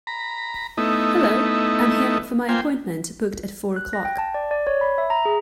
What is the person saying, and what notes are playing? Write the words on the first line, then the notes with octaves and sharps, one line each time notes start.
Hello, I am here for my appointment booked at four o'clock.
A#5 B5
A3 B3 D#4 E4
A#3 F4 C5 G5 G#5
F#6
A#6
G5
A5
D5
D5
C#5
B5
E5
A#5
G#4